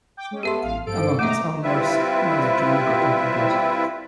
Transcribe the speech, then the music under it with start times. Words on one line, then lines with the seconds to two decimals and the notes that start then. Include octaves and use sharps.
Among its owners was Jan Gotlib Bloch.
0.17 G5 D6
0.31 G#3 C#4
0.43 B3 G4 A4 E5 C6
0.62 A1 F5
0.87 G2 F3 A4 D7
1.19 A3 A#3 D#5 E5 A#5 D6
1.63 G3 C4 E4 F4 B4 E5